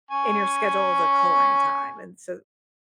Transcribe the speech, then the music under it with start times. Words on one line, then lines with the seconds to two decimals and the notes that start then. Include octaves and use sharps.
in your schedule the coloring time, and so,
0.11 C#4 G#5 C#6